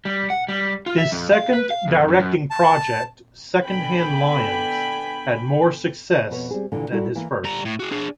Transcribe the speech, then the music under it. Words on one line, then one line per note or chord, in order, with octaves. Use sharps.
His second directing project, "Secondhand Lions" had more success than his first.
G3
F#5
G3
F4
E5
F2
F5
B4
F5
F2
F#2
F#2
A5
D3 B3 G5 G#5 B5
F2 B2 B4 C#5
G3 C4 G#4
D#2 A#2 D3 E3
G3 E4 F#4 A4 A#4
E3 A#3
G3 A#5
A2
F#4 G#4
D4 G#4